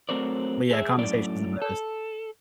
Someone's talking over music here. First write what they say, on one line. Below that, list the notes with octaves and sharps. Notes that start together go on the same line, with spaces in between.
But, yeah, conversation is the best.
F#3 A3 C4 A#4 C5 D5
G#4 E5
F#2 A2 D5
A4